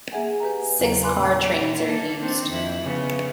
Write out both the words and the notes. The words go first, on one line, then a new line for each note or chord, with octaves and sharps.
Six-car trains are used.
A#3 G#4 E5 F#5 G#5
G4 B4 G#5 A#5
E2 C#3 F#3 A#4 F5 A#5
F5 G#5 B5 C6 D6 F#6
A#2 C#4 E6
A#3 A4
D#3 C4 D4
F2 E4
C#3 B3